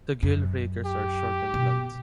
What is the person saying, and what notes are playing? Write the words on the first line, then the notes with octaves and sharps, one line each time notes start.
The gill rakers are short and blunt.
F#2
G4
B2